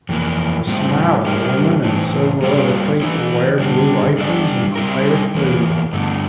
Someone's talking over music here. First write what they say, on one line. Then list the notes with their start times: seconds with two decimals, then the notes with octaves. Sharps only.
A smiling woman and several other people wear blue aprons and prepare food.
0.09 F2 E3 A#3
0.67 A2 G3 C4 F4
1.26 A2 G3 C4 G4 A#4
1.85 A2 E3 A3 C4
2.43 G3 A#3 F4 A4
3.02 E3 A3 E4 A4
3.60 D3 G3 D4 G4
4.18 G3 D4 A4 D5
4.76 G3 C4 E4 A#4
5.35 E2 E3 A#3
5.93 G2 D3 A3